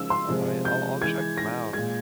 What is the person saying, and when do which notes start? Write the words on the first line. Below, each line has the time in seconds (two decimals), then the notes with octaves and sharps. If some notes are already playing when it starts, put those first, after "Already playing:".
Alright, I'll I'll check them out.
Already playing: C#3 F3 G#3 E6
0.10 C6
0.29 C3 F3 G#3
0.65 G6
1.01 E3 G#3 G#6
1.38 A#6
1.73 A#2 G#3 G#6